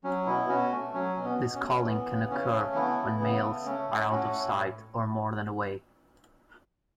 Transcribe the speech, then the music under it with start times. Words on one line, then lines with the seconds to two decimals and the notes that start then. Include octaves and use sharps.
This calling can occur when males are out of sight or more than away.
0.04 F#3 C#4
0.26 B2 B3 E4
0.49 B2 C#4 F#4
0.71 A3
0.94 F#3 C#4
1.17 B2
1.24 B3
1.39 B2
1.54 C#4
1.62 A3
1.85 E3 B3
2.07 C#3
2.30 C#3 C#4
2.52 A3
2.75 E3 B3 E4
2.98 C#3
3.20 C#3 B3
3.43 A3
3.65 A3 C#4
3.88 A2
4.11 A3 C#4 F#4
4.33 A2